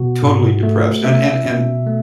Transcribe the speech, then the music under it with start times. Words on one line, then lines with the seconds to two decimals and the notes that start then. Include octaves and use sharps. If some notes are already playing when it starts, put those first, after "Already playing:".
totally depressed, and and and
Already playing: B2 F#4
0.23 G#2
0.63 A3
1.04 C#4 E5
1.46 B2
1.86 A3